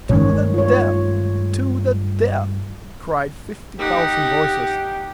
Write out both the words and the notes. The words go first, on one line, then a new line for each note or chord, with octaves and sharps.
"To the death! to the death!" cried fifty thousand voices.
G2 D#3 G#3 A3 C#5
F4 C#5
D#4 G4 F#5